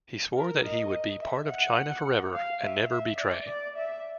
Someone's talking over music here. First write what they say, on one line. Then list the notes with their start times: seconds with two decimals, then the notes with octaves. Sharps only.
He swore that he would be part of China forever and never betray.
0.36 A#4
0.64 D#5
1.21 E5
1.49 F#5
2.34 F5
2.62 E5
2.91 E5
3.19 D5
3.48 D5
3.76 E5